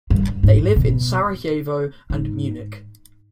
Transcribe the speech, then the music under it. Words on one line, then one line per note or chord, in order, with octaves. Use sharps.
They live in Sarajevo and Munich.
G2
G#2
B2
G#2